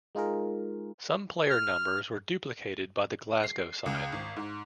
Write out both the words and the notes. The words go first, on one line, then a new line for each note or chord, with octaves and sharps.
Some player numbers were duplicated by the Glasgow side.
G#3 D#4 F4 G#4 A#4
F6
C7
C#2
G#1
G#2